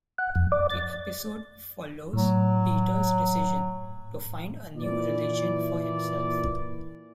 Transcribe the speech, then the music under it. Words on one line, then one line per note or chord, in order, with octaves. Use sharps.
The episode follows Peter's decision to find a new religion for himself.
F#5
F2
D5
A6
A2 F#3
A#2 E3 D5